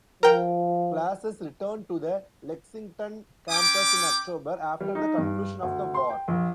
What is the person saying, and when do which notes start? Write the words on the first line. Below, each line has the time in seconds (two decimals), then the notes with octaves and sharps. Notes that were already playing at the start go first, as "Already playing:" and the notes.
Classes returned to the Lexington campus in October, after the conclusion of the war.
0.23 F3 A#4 G5
3.49 C#4 G5 D6
4.80 G3
4.95 D#4
5.18 G2
5.63 D2
5.94 C6
6.10 G5
6.28 A#1